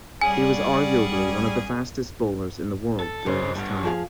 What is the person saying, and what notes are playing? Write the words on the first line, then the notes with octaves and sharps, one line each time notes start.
He was arguably one of the fastest bowlers in the world during his time.
G3 C#4 G#4 D5 F#5 G#5
A4
G2 C#3 C5
G2 D3 G3
F3 G#4 F5